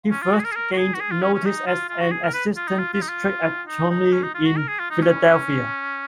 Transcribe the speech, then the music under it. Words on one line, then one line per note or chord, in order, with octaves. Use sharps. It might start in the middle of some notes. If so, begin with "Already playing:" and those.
He first gained notice as an assistant district attorney in Philadelphia.
C#4
F4
F#4
G#4
A#4
G#4
A#4
F#4
G#4
F#4
G#4
F4
C#4
C#4
D#4
F4
F4
F#4
G#4
A#4
B4
F4
D#4
F4
F4
D#4
F4
D#4
D#4
C#4
D#4
F4
F#4
A#4
G#4
F4
D#4
C#4